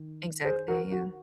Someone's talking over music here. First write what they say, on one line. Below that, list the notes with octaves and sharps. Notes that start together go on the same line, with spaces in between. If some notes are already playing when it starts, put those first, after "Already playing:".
Exactly, yeah,
Already playing: D#3
G#4 C5
F#4 A#4
F#4